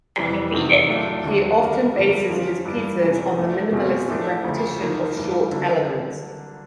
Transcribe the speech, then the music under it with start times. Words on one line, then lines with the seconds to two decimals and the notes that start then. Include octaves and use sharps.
He often bases his pieces on the minimalistic repetition of short elements.
0.16 F2 C3 E3 G3
0.52 E2 C3 D#3
0.87 A2 F#3 A3 D4 F4
1.23 D#2 D3 F#3
1.59 G3 B3 D4 F#4 A#4
1.94 G2 D3 F3 A#3
2.29 F3 G#3 C#4 F4
2.65 G2 E3 G3
3.02 C3 E3 G#3 C#4
3.37 F3 A3 D4
3.72 B2 G#3 C4 F4 G#4
4.08 A2 F3 A3 D4
4.44 D2 C#3 F3 A#3
4.80 F3 A#3 D#4
5.15 G2 E3 A3
5.51 D3 F#3 A#3